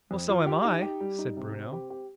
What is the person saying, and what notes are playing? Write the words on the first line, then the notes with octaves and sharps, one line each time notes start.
"Well, so am I!" said Bruno.
F2
F4
G4
D#4
G4
G3
D#4
C3
C4
G4
G4